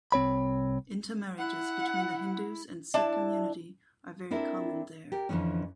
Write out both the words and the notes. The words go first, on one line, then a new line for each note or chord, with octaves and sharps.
Intermarriages between the Hindus and Sikh community are very common there.
C2 C4 C#5 B5
E4 F#5
D4 E4 A5
C4 D4 E4 A4 A#4
G4 A#4
F2 A2 D3 E3 C#4